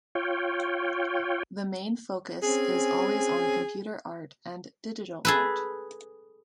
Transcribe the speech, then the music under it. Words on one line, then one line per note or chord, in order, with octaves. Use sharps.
The main focus is always on computer art and digital art.
F4 C#5 G5
C4 C#4 G#4 G#5
G#4 A4 B4